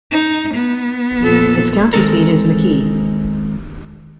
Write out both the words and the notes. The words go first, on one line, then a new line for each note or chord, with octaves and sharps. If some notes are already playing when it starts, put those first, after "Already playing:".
Its county seat is McKee.
D#4
B3
F2 A#2 A4
D#3 G#3 C4 A4 A#4